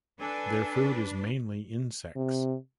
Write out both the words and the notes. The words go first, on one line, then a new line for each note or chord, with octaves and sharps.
Their food is mainly insects.
D4 A4 B4 G#5
C3